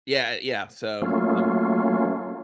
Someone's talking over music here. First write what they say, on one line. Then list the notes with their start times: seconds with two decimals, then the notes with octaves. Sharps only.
Yeah, eh yeah, so, um
1.02 F#3 A3 A#3 C#4 F4